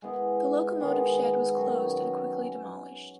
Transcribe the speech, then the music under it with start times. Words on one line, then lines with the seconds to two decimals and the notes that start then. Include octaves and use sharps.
The locomotive shed was closed and quickly demolished.
0.02 G#3 B3 E4
0.80 D#3 G#3 B3
1.57 D#3 F#3 C#4